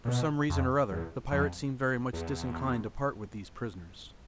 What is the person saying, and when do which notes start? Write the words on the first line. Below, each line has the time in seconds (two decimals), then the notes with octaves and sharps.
For some reason or other, the pirates seemed very much disinclined to part with these prisoners.
0.05 A#2
0.08 B2
0.49 F2
0.91 E2
1.32 F2
2.13 E2